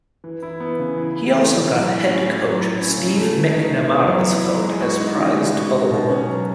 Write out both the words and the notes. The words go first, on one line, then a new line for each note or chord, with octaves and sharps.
He also got Head Coach Steve McNamara's vote as Prized Bull.
E3
E4
B3
C#3
E3
E4
A3
A2
F#3
E4
C#4
A2
F#3
E4
C#4
C#3
A3
E3
D#4
E3
B3
F#3
E4
F#3
G#3
F#4
D#4
C#3
G#3
F#4
D#4
B2
C#4
F#3